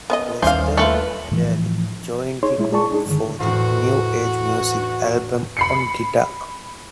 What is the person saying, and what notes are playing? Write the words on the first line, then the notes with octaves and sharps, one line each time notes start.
Lester Adderley joined the group for the "New Age Music" album on guitar.
B3 C#5 D#5
D#2 E3 G3 C#4 D#4 C5 F5
A3 A#3 F4 B4
A2 E3 F3
D#4 G#4 C#5 C6
A#2 G#3 E4
G#3 G#4 D5 A5 C#6
D4 D#4 G#4
G2 D3 D#3
E2 A2 F#4 C5
B5 C7 C#7